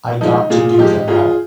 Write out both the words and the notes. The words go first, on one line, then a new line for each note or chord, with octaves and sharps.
I got to do them all.
F3 G#3 D#4
A#2 F4 G#4
F4
F3 G#3 D#4 G4
G#2 F4 G#4